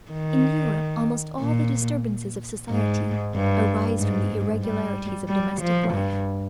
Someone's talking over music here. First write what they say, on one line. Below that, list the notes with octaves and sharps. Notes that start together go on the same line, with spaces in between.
In Europe almost all the disturbances of society arise from the irregularities of domestic life.
D#3
A#2
G#2
G2
G#2
G3
G3
F3
G2